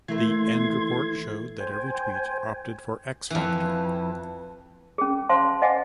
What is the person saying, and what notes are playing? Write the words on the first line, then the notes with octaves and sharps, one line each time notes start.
The end report showed that every Tweet opted for X-Factor.
E3 A3 A#3 C6 G#6
C5 G5 G#5
F2 E3
C#4 G#4
C5 F5 A5 C6
D#5 F5 F#5 G#5